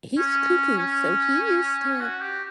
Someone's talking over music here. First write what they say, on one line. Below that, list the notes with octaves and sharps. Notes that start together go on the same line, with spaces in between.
He's cuckoo. So he used to
C#4
C#4
F#4
G4